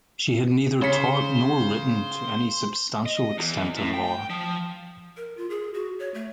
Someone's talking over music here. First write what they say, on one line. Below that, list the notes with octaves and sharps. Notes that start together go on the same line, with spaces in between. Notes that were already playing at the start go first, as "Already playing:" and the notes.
She had neither taught nor written to any substantial extent on law.
C#3 C5 C#5 B6 C#7
D#5
E2
A2
G5
F3
A#4
F4
G#4
F#4
C#5
A3